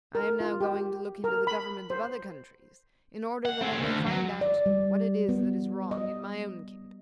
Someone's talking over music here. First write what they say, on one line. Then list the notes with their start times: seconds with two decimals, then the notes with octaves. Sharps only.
I am now going to look into the government of other countries in order that I may find out what it is that is wrong in my own kingdom.
0.15 A#4
0.40 F4
0.61 G4
1.24 A#4
1.47 B5
1.90 C5
3.45 F#5
3.62 C4 G#4
3.80 D2
4.07 F#3
4.41 D5
4.66 G3
5.29 B3
5.91 D#5